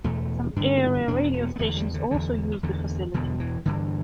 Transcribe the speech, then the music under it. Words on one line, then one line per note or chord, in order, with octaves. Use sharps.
Some area radio stations also use the facility.
E2 B2 A3
G2 D3 D4
E2 B2 D4
B3
B3
E2 D3 A3
G3
D3
E2 D3
E2 D3
E2 B2 D3
E3
G2 D3 E3